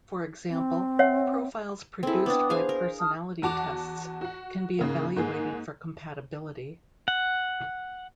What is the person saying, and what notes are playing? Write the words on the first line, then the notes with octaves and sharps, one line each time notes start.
For example, profiles produced by personality tests can be evaluated for compatibility.
C4
C#5 E5 F#5
C4 E4 G#4 A4 G#5
B3 D4 G5 D6 D#6
G#4 C5 F5 G#5
A#4
A5 D#6 F6
E2 F#4 A5 D6 F7
F#4 F#5
G#2 C#3 A#3
G#2 A#3 G#4
F#5